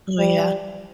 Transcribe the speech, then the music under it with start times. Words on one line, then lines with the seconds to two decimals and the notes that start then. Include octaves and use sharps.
Oh yeah.
0.19 G3